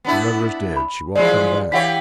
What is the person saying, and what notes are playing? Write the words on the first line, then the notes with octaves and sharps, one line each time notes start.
"Your mother is dead; she won't come back."
B3 D4 E4
B5
E3 F3 G#3 D5
E3 G4 C#5 F5 F#5 B6